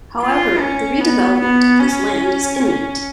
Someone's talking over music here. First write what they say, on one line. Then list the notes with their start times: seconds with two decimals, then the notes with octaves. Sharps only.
However, the redevelopment of this land is imminent.
0.21 F4
0.60 C#4
1.00 B3
1.40 B3
1.80 C#4
2.58 C#4